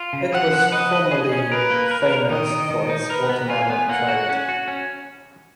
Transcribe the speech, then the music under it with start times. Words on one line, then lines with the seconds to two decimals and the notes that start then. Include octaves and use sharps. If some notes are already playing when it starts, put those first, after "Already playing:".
It was formerly famous for its watermelon trade.
Already playing: F4
0.13 C#3
0.32 F3 F#5
0.52 F3
0.72 B4 D#5
0.92 B4
1.11 G#4
1.32 C#4
1.52 A#4 B4
1.71 A#3
1.91 A#4
2.10 A#4
2.30 D#3 D#5
2.51 D#3
2.70 D#3
2.90 D#4
3.10 A#4 B4
3.29 B3
3.49 F4 G#5
3.70 B3
3.89 A#3 F#5
4.08 F#4
4.29 C#4
4.49 F#4
4.68 C#4